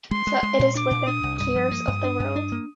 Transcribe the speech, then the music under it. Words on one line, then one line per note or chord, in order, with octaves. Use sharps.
So it is with the cares of the world.
G#3 C6
G#3
G#3
A#2
D4 D6
A#2
D4 D#6
C2
G2 D#6
F3
A#3
G2
D4
G2
D4
A#3